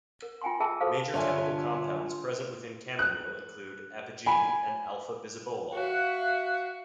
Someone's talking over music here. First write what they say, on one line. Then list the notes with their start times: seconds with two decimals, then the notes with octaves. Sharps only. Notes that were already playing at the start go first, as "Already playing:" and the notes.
Major chemical compounds present within chamomile include apigenin and alpha-bisabolol.
0.22 A#4
0.41 F4 G5 G#5 A#5 C6
0.60 F4 G#4 E5 G5 A5 E6
0.81 F#4 G#4 A4 B4 C5 F5
1.14 G2 D3 D4 F4 C#5 E5 G#5
2.99 F#6
4.26 G#5 B5
5.74 F#4 E5 F5 F#6